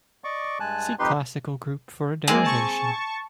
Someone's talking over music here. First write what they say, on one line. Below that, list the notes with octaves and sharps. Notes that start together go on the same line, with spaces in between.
See classical group for a derivation.
D5 D#5 C#6 D6
G2 G#3 G#5 A5 F#6
F2 D#4 G4 B4 C6
G#3 A#3 C4 G#4
A5 C#6